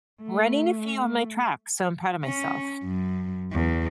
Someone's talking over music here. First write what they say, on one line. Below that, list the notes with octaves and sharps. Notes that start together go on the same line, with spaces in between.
running a few on my track, so, I'm proud of myself.
A3
C#4
F#2
E2